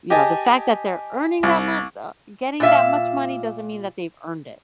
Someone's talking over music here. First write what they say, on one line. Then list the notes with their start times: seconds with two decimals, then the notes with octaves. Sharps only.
you know, the fact that they're earning that mon uh, getting that much money doesn't mean that they've earned it.
0.10 G4 D#5 G#5 A5
1.43 C2
2.60 A#2 F4 E5 F5